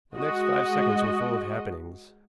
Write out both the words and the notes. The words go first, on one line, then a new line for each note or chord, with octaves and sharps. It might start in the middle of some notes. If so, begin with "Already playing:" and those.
The next five seconds were full of happenings.
G#3 F#4 D#5